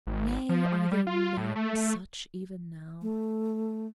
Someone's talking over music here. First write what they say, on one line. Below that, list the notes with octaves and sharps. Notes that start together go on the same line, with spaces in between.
Nay, are there none such even now?
G#1
F3
G3
F4
A2
A3
A3